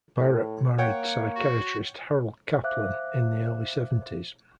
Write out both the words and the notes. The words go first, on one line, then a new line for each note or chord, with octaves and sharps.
Barrett married psychiatrist Harold Kaplan in the early seventies.
A2
A#3 C#5 F#5 G5
F#4
C5 E5 F5 D6 F#6